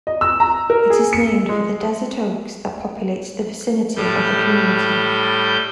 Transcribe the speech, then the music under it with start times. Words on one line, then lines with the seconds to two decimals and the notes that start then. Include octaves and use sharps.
It is named for the desert oaks that populate the vicinity of the community.
0.07 D#5
0.21 E6
0.40 A#5
0.70 A#4
0.90 G#4
1.13 C#7
1.49 G#3
3.96 A2 G3 G6